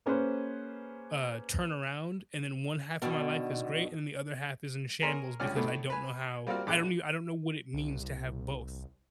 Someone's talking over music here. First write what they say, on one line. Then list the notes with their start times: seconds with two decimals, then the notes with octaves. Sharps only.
uh, turn around and then one half of my life is great and the other half is in the shambles because I don't know how I don't I don't know what it means to have both.
0.06 A#3 C#4 G#4 B4 C5
3.02 B2 D3 D#3
5.02 G#4 A#4 C#5 C6
5.40 C#2 G2 C#4 D5 F6
5.56 A2 D3 A3 B3
5.90 B4 G#5
6.47 G3 A#3 C4 F4 F#4 F5
6.67 A#1 D6 F#6
7.74 C2